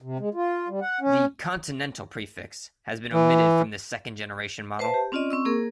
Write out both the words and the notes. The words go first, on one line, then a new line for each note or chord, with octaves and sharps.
The "Continental" prefix has been omitted from this second generation model.
C3
G#3
F4
G3
F#5
C#4
E3
B4 C5 E5 A5
G4
C4 C#4 F4 D5 D#5
C4 C#6 E6
A#3 G#4 A#4